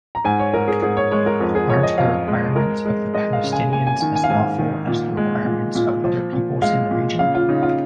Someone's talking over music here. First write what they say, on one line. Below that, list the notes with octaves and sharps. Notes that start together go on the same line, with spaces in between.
Aren’t the requirements of the Palestinians as lawful as the requirements of other peoples in the region?
A#5
G#2 G#5
C#5
G#2 A#4
G#4
G#2 G#4
C#5
G#3 C#5
A#4
F2 A#4
G#4
F2 C#5
D#5
F2 F5
G#3
G#3 A#4
G#3
G#3 D#5
F5
C#3
G#5
A#3 G#5
G#5
D#3 G#5
G#5
F5
G#2 G#5
D#3
A#2
G#3
A#2
A#2
F3
A#2
G#3 F5
A#2
C#3 F5
F4
C#3 D#4
F4